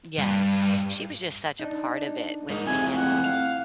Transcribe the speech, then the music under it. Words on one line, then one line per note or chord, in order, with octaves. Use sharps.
Yes. She was just such a part of it with me, and
G2
D4 D#4
G#2 G#3 D#4 A#4
F2 G#3 A3 C4 E4 G#5
F#5
F5